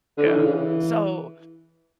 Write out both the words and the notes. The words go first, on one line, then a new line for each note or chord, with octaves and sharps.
yeah, so
D3
E3
D3
C#3
E3